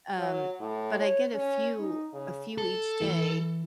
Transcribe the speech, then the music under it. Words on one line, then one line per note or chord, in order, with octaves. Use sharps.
Um, but I get a few a few each day
F#3
A2
C#5
C#4
D#4
C#3
A4
E3